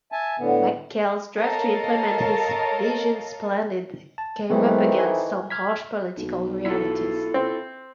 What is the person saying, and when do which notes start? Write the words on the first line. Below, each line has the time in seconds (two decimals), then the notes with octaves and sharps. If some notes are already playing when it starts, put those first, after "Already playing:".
McKell's drive to implement his 'vision splendid' came up against some harsh political realities.
0.12 E5 G#5 A5
0.39 A2 D3 B3
1.35 A4 A#4 C#5 D#5 F5 A5
4.18 A5
4.50 F2 D#3 E3 F#3 G#3 B3
4.99 G#5
5.50 F6 G#6 B6
6.17 B1
6.66 E4 F4 A4
7.34 C4